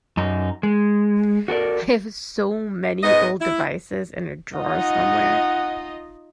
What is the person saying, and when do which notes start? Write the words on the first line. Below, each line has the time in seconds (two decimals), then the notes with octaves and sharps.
I have so many old devices in a drawer somewhere.
0.17 F#2 D#4
0.63 G#3
1.48 F#4 A4 A#4 D5
3.03 G#2 B3 D#5
3.41 E4
4.56 D#4 F4 D#5 F#5